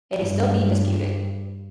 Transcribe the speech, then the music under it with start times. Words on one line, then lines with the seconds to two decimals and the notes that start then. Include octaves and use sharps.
It is still being disputed.
0.19 G2